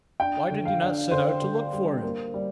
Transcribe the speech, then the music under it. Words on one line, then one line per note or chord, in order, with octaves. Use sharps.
Why did you not set out to look for him?
D4 G5
D3
F5
D4
D3 C5
D3
G3
A#3
G3